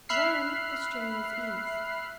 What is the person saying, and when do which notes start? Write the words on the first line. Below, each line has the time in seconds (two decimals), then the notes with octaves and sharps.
Then the strain is eased.
0.09 E5 B5 F6 F#6 C7